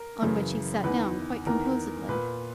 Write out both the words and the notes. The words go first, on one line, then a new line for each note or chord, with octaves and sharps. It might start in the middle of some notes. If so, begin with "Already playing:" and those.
On which he sat down quite composedly.
Already playing: A#4
F#2 C#3 E3
E2 D#3 B4
E2 D#3 A#4
A#2 B4